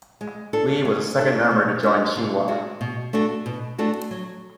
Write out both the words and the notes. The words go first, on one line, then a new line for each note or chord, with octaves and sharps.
Lee was the second member to join Shinhwa.
G#3
D4 A4
G#3
D4 A4
B2
G#3 D4 F#4
B2
G#3 D4 F#4
B2
A3 D4 F#4 A4
B2
A3 D4 F#4 A4
F#3